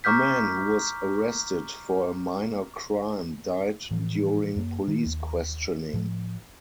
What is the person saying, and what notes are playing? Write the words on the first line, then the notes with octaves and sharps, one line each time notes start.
A man who was arrested for a minor crime died during police questioning.
A#5 C#6 D6 F6 G6 B6
A2 E3 F3
F#2 A#3
D#3
D#2
A2 F3